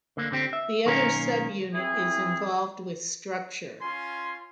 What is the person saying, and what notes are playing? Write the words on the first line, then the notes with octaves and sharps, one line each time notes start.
The other subunit is involved with structure.
D3 A#3
D3 C4 G4
E5
B1 D#3 A#3 C#4 A#4 A#5
E3 C4 E4 G#4
C#4 F4 G#5 C6